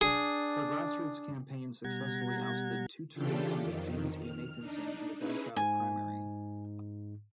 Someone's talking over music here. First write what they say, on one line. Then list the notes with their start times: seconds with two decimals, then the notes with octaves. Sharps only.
Her grassroots campaign successfully ousted two-term incumbent James E. Nathanson in the Democratic primary.
0.01 D4 G#4
1.84 B2 G3 F#5 A#5 G#6
3.14 C#3 E3 D4 F4 G4 A4
3.62 F2 D#3
4.18 F6
4.59 D4 D#4
5.17 C#4 D#4 E4 G#4 B4
5.56 G#2 G#5